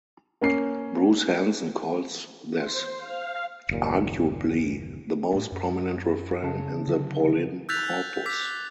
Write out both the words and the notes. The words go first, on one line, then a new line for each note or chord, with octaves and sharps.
Bruce Hansen calls this "arguably the most prominent refrain in the Pauline corpus".
A#3 C#4 C7
C5
F5
F#1 D#2 A#2
A2 A3
F#2
C#3 A5
D3 F#3
E6 F#6 G6 A6 B6 F7
D6 E6 B6